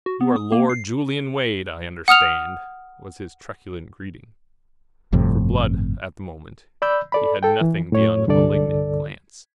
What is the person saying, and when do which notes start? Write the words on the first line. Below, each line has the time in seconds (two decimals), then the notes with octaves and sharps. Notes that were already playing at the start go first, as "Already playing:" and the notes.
"You are Lord Julian Wade, I understand," was his truculent greeting. For Blood at the moment he had nothing beyond a malignant glance.
0.06 F#4
0.21 B3
0.36 D#6
0.52 A#3
0.69 C7
2.08 F#5 D#6 F6 F7
5.12 G1 F2 A2 C3
6.82 D5 B5 E6 G6
7.12 A4 D5 B5
7.43 A4 G5
7.61 E3
7.92 A2 C#5
8.27 C2 G2 D3 A4 D5